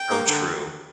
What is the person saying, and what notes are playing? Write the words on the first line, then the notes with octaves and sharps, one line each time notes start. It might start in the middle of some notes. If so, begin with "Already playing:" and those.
Oh, true.
Already playing: G5
A#3
D3